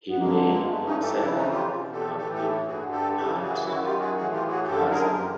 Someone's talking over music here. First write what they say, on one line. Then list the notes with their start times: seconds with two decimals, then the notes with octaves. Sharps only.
He may himself have been part Khazar.
0.10 B3
0.19 G2 D3 G#3 A#3
0.44 G#3 A#3
0.68 G2 E3 A3 B3
0.86 C#4 D#4
1.01 G4 A4
1.18 F2 C#3 E3 D4 E4
1.35 C#4 D#4
1.51 F4 G4
1.68 E2 B2
1.92 G4 A4
2.17 A2 E3 G4 A4
2.34 G4 A4
2.67 G2 D3 F#4 G#4
2.91 G4 A4
3.16 F#2 C#3 E3 G4 A4
3.37 G4
3.41 F#4 G#4
3.61 G4
3.66 F#2 D#3 E4 F#4
3.82 F4 G4
3.99 F#4 G#4
4.16 A2 E3 F#4 G#4
4.32 F4 G4
4.48 F#4 G#4
4.65 F#2 D3 G4 A4
4.90 G#4 A#4
5.15 E3 F4 G4